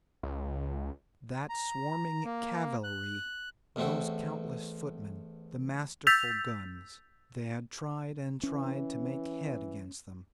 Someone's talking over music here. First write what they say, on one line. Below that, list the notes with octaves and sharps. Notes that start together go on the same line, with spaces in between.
That swarming cavalry, those countless footmen, the masterful guns--they had tried and tried to make head against them.
C#2
A#5
A#3
F#6
A1 E2 A3 C4 F#4
E6 G6 A6 B6 F7
E3 C#4